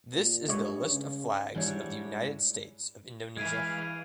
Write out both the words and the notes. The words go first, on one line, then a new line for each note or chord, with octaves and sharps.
This is the list of flags of the United States of Indonesia.
A#2
G2 G#3 C#5
C#3
G#2 G3 D4 E4 C#5
E3 G#3 G#4 B4 F5 G#6 D7 D#7